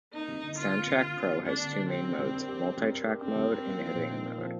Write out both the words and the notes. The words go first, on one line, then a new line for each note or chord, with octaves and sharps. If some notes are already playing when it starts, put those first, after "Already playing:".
Soundtrack Pro has two main modes: multitrack mode and editing mode.
A#3 D#4
G3
D3
D3 F4
A#3
G3
D3
D3
A#3
G3 D4
D3
D3
C4 G4
D4
G3
A#4
G4
D4
G3
A#4
G4
C4 D4
G3
A#4
A#3
F3
A#2
D#4
A#3
F3